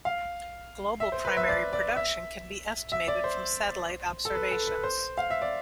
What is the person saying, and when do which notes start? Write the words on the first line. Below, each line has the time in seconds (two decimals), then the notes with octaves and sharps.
Global primary production can be estimated from satellite observations.
0.05 F5
1.00 E5
1.12 C5
1.25 B4
1.37 E5
1.48 D5
1.73 D5
1.96 E5
2.92 E5
3.08 D5
3.24 C5
4.25 A4
4.35 B4
4.51 A4
4.67 B4
4.83 C5
5.18 F5
5.30 E5
5.42 D5